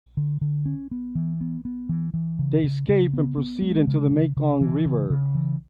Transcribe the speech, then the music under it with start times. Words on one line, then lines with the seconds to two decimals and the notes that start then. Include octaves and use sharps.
They escape and proceed into the Mekong River.
0.17 D3
0.41 D3
0.66 C#4
0.91 B3
1.15 E3
1.41 B3
1.65 B3
1.89 E3
2.14 E3
2.39 C#3
2.64 C#3
2.89 C#3
3.13 B3
3.37 B3
3.62 G#3
3.87 C#3
4.11 C#3
4.37 C#3
4.61 E3
4.85 C#3
5.10 C#3
5.35 E3